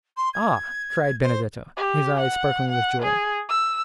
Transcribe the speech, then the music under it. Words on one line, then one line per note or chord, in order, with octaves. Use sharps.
"Ah," cried Benedetto, his eyes sparkling with joy.
C6
G#6
C5
G4
F#5
F#5
G#4
E6